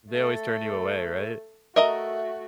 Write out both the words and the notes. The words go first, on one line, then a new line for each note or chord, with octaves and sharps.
They always turn you away, right?
A3 A4
A3 F#4 A#4 D#5 E5 A#5